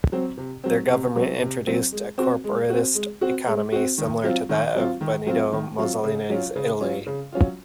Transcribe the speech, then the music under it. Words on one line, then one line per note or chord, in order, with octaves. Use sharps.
Their government introduced a corporatist economy, similar to that of Benito Mussolini's Italy.
F#3 C4
C3
F#3 C4
C3
F#3 C4
C3
F#3 C4
G#3
C4 F#4
G#3
C4 F#4
G#3
C4 F#4
G#3
C4 F#4
D#3
F#3 C4 F4
D#3
F#3 C4 F4
D#3
F#3 C4 F4
D#3
F#3 C4 F4
C#3
F#3 C#4 F4
C#3
F#3 C#4 F4
C#3
F#3 C#4 F4